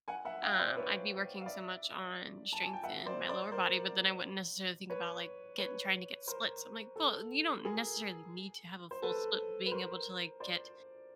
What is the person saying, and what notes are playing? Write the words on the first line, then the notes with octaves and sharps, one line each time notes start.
um, I'd be working so much on strength in my lower body, but then I wouldn't necessarily think about, like, getting trying to get splits. I'm, like, "Well, you don't necessarily need to have a full split, being able to, like, get
F#5 G#5
E5 F#5
F5 G5
C5 D5
B4 C#5
F5
D5 E5
A5
G#5
G5
E5 F#5
C5 D5
C5 D5
A#4 C5
B4 C#5
B4 C#5
A#4 C5
A4
G#4 A#4
C5
A4 B4
B4
A#4 C5
C5 D5